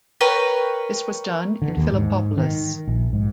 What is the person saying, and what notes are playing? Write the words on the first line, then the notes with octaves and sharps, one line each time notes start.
This was done in Philippopolis.
A#4 B4 C#5 G5
D3
D#2
G#2
D#3
A#1
G#2